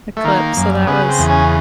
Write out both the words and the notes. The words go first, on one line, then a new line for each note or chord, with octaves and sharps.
eclipse, so that was
A3
D#3 A#3
F#2
C#3 B3
C4
E2
C#4